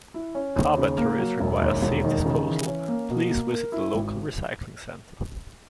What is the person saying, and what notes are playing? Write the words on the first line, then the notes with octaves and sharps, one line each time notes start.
Car batteries require safe disposal, please visit the local recycling center.
E4
C#4
D#2
C#3
A#3
F#3
E1
D#2
E1
D#3
C#3
E3
C#4
A#3
B2
A#3
A#4
E4
G#1